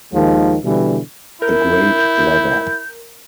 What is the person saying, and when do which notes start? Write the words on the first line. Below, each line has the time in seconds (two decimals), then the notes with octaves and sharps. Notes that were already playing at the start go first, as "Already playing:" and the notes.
A great lover.
0.14 D#2 D#3 F3 G#3
0.64 B2 D3 E3 G3
1.42 E4 A#4 G6